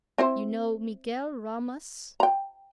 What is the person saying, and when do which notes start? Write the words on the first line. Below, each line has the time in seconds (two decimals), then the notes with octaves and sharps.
You know Miguel Ramas?
0.18 C4 E4 C5
2.20 G5 A#5